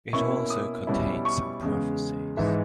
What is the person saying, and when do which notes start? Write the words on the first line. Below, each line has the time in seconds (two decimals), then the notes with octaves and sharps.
It also contains some prophecies.
0.13 B2 A#3 C#4 E4 C#6
0.50 D#6
0.87 B2 G3 C#4 E4
1.25 C#6
1.62 E2 C#3 G#3
2.37 G#2 E3 G#3 D#4 E5